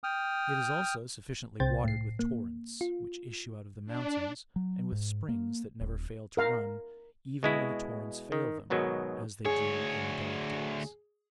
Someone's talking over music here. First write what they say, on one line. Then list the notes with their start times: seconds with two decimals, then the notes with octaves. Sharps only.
It is also sufficiently watered with torrents, which issue out of the mountains, and with springs that never fail to run, even when the torrents fail them, as they do in the dog-days.
0.04 G5 D#6 F6
1.60 C2 C3 C5 G5 A6
1.84 A2 C7
2.19 A#3
2.81 F4
3.86 D4
4.56 F#3
4.92 G#2
5.29 A#3
5.81 D#1
6.37 A#4 F5 A#5
7.43 B2 G#3 E4 F#4
8.32 D#3
8.70 G#2 B2 D#3 F#3
9.45 D2 G#4 C#5